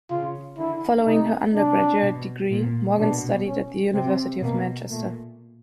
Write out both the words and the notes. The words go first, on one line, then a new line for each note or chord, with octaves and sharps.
Following her undergraduate degree, Morgan studied at the University of Manchester.
C#3 F4
D3 E4
C3 D#4
C3 D4
B2
A#2
B2 D4
C#4
C3 C4
B2 A#3
A#2 A3